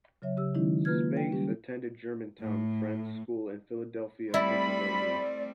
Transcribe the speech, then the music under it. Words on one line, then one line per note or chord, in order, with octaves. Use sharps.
Spaeth attended Germantown Friends School in Philadelphia, Pennsylvania.
C#3 F#3 C#5 E5
C#3 G4 E6
D#3 F#3 G#3 C#4 D#4 E4
A#3 F4 B4 F6 G#6
G5
G3 C#4 G4
A2
G3 A3 C4 E4 D5 B5